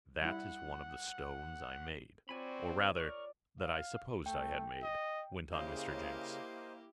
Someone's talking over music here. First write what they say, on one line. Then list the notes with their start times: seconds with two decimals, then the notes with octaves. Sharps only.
"That is one of the stones I made--or rather that I supposed I had made," went on Mr. Jenks.
0.22 G3 E4 F#5
2.29 C4 F4 F#4 C#5 D5 G#5 B5
2.97 A#4 D5 C#6 F6
3.60 F5
4.26 A3 G5
4.83 D#5
5.52 C#3 A#3 E4 G4 C5 D#5